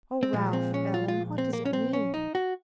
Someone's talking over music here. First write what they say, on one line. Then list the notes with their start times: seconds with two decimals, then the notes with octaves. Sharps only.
"Oh, Ralph--Ellen--what does it mean?"
0.23 C4
0.33 A#2 F3 G#3 A#3
0.53 C4
0.74 C#4
0.94 F4
1.08 F4
1.38 C4
1.53 A#3
1.65 C#4
1.73 C4
1.93 C#4
2.14 D#4
2.35 F#4